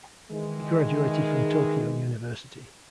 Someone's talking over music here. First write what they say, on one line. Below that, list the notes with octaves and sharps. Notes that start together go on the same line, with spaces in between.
He graduated from Tokyo University.
D#3 E3 G#3